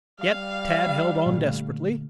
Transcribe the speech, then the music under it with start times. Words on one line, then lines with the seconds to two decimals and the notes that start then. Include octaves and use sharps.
Yet Tad held on desperately.
0.19 G3 F5
1.26 A#2 D3 A3